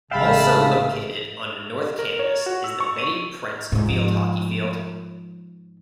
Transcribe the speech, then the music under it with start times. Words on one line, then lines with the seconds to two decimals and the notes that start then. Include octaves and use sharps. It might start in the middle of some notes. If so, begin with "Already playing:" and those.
Also located on the North Campus is the Betty Prince field hockey field.
0.11 A1 C#3 G#3 E5 F5 G5 A5 B5
1.99 A#4
2.19 C#5
2.46 F#4
2.64 E6
2.80 C#6
2.98 D#7
3.72 G#2 F3